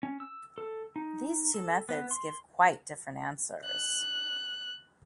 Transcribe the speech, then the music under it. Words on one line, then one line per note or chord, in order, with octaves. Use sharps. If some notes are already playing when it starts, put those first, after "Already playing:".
These two methods give quite different answers.
C#4
E6
A4
D#4
A4
B3
C6
F#6